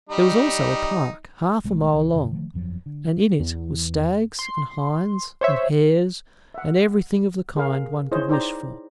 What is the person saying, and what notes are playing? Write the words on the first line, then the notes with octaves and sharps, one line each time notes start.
There was also a park, half a mile long, and in it were stags and hinds, and hares, and everything of the kind one could wish for.
G3 D#4
B1 G#3 A3
C#2 E3
F2 C#3
D#3 F3 A3
G1 F2 F3 F#3
D3
E2
C6
C5 C#5 E5
E5 F#5
G#4 A#4 F5
E4 G#4 C5 C#5 D#5
D#4 C5 D5 G5 A#5